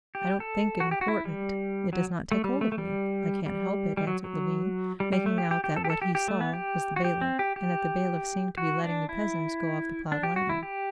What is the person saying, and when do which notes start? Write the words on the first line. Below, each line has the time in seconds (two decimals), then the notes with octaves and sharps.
"I don't think it important; it does not take hold of me, I can't help it," answered Levin, making out that what he saw was the bailiff, and that the bailiff seemed to be letting the peasants go off the ploughed land.
0.15 G4
0.40 A4
0.80 F#4
0.91 G4
1.01 F#4
1.08 E4
1.25 G3
1.93 F#3
2.32 A3
2.44 G3
2.61 A3
2.72 A3
2.78 G3
3.46 G3
3.97 G3
4.07 F#3
4.24 F#3
5.00 G3
5.13 G3
5.26 A3
5.38 G4
5.51 G4
5.64 G4
5.76 A4
5.84 G4
5.90 A4
6.02 G4
6.15 G4
6.28 A3
6.41 B3
6.53 G4
6.96 F#4
7.04 G4
7.21 C4
7.39 G4
7.56 G4
8.58 F#4
8.84 D4
9.09 E4
10.12 D4
10.23 G4
10.36 F#4
10.49 E4
10.63 G4